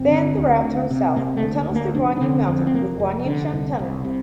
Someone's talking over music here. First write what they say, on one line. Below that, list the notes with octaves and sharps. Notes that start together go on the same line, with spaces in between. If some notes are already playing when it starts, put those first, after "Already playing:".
Then the route turns south and tunnels through Guanyin Mountain with Guanyinshan Tunnel.
Already playing: G1 C4
D3
D2
D2
C3
C3 A#3
A3
D2
A#3
D2
A#3
F1 D4
D4
D3 C4
F2 C4
C4
F1 A#3
F1
D3
C2
C2
C3